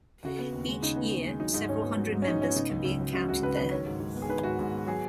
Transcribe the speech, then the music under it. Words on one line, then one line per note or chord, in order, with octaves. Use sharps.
Each year, several hundred members can be encountered there.
C#3 F#4
B3
D#2
G#3
C#3 D#4
B3
D#2
G#3
F#3 D#4
G#2 D#4
G#2 C#4
B3
F#3
G#2
C#4
G#2 D#4
B3 C#4
C#3 D#4
C#2
C#2
F#3
C#3 F#4
C#2 F#4
C#2 B4
F#3 B4
D#3 C#5
G#2
G#2
B3
G#4
D#3 B4
G#2 F#4
G#2
B3
F#3 G#4